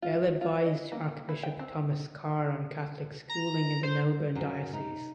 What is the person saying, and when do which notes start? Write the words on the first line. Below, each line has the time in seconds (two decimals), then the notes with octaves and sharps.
Bell advised Archbishop Thomas Carr on Catholic schooling in the Melbourne diocese.
0.02 F4
0.41 F4
0.66 D#5
0.92 A#3
1.29 E4
1.43 G5
1.59 C4
3.29 A#5
3.83 C5
4.35 F#2
4.73 D#4